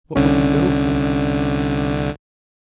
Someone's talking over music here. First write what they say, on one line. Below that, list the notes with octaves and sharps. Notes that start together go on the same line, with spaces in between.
"What would he go for?"
C2 D3 C#4